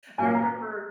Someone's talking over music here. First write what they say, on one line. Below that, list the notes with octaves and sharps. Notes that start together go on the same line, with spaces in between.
I remember
A#2 F#3 C#4 G#5
A#5